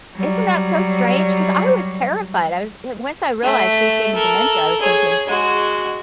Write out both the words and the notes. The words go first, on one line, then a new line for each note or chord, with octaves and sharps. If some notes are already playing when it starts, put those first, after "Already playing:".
Isn't that so strange? 'Cause I was terrified, I was and once I realized she was getting dementia, I was thinking,
F#3 G3
A3
A4 A#4
G#4 C#5
G#3 F#4